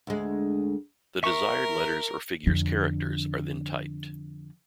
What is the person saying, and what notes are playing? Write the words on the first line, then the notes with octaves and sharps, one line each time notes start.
The desired letters or figures characters are then typed.
D2 G#3
A#4 E5 C#6
F2 D3